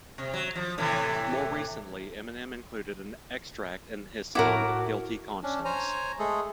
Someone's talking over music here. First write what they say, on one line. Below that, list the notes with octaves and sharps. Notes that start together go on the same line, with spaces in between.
More recently, Eminem included an extract in his song, "Guilty Conscience".
C3
F#3
F3
A2 C3 E3
A2 E4 F#4 A#4 D6
C#4 D4
C5 C#5 G#5 A#5
G#3 A3 G#4 A4